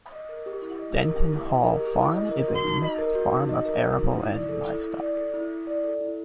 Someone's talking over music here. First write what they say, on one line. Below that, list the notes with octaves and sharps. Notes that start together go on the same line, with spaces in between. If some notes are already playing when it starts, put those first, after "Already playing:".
Denton Hall Farm is a mixed farm of arable and livestock.
D#5
A#4
G4
E4
D#5
A#4
G4
E4
D#5
A#4
G4
E4
D#5
A#4
F#4
D#4
D#5
A#4
F#4
D#4
D#5
A#4
F#4
D#4
E4
D5
A4
E4
E4
D5
A4
E4
E4
D5
A4
E4